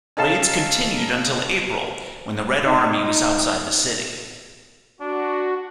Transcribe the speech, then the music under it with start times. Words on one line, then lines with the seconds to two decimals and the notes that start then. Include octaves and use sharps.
Raids continued until April, when the Red Army was outside the city.
0.17 C#4 D#4 A4 F5 A5
2.66 D#4
5.00 D4 F#4